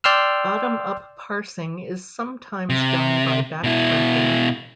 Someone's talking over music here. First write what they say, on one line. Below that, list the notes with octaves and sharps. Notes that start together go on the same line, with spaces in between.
Bottom-up parsing is sometimes done by backtracking.
D5 G5 C6 E6 F6
C3
B2 E4